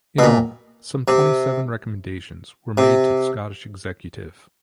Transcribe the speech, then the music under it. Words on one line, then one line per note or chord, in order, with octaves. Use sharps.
In all, some twenty seven recommendations were made to the Scottish Executive.
B2
A#2
C3
C3